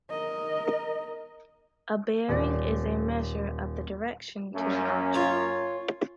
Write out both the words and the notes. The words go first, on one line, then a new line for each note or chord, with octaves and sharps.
A bearing is a measure of the direction to an object.
A#4 D#5
D#1 D5
F#2 A#3 C#4
F4 C#5